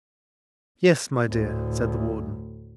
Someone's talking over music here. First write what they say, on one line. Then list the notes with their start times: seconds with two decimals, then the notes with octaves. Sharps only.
"Yes, my dear," said the warden.
1.29 D2 A2